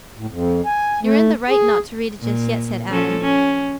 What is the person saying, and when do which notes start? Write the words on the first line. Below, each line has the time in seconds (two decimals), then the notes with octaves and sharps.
"You're in the right not to read it just yet," said Adam.
0.18 A2
0.31 F2
0.66 G#5
1.03 A3
1.50 G#4
2.21 A#2
2.89 F3 C#4 A4
3.21 C#4